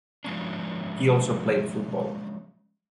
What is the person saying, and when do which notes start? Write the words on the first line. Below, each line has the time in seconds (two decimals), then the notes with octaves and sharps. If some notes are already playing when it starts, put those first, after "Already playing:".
He also played football.
0.25 F3 F#3 G#3 C#4 D4